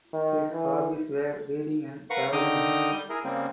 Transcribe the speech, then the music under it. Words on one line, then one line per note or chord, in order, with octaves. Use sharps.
His hobbies were reading and travelling.
D#3
E3
A#4 B4 F5 F#5 C#6
D3 D#3 A#5 D6 D#6 G6
G3 G6
E4 G#4 A#4
C#3 G3 A#3 C4